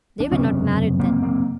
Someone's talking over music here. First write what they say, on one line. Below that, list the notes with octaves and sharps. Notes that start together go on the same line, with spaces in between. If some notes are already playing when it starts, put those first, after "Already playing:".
They were not married then.
D4
F#1 E2 C3 B3 C#4
A#3 C4
A#3 C4